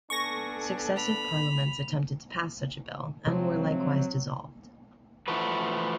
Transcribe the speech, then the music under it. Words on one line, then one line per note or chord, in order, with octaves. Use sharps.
Successive Parliaments attempted to pass such a bill, and were likewise dissolved.
B3 D4 A4 G#5 C#6 A#6
B5 F7
C3 F3 F#3 G#3 C4
E3 F3 A3 F#4 B4